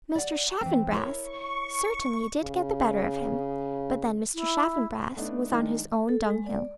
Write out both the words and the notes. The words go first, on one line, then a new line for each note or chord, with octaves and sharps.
Mr. Chaffanbrass certainly did get the better of him; but then Mr. Chaffanbrass was on his own dunghill.
D5 F#5
E3 C4
E4 A#4 C#5
C#6
C#3
E4
A3 B3 D4 D#4
D#3 G#3 D4 D#4
A4
G#3
D5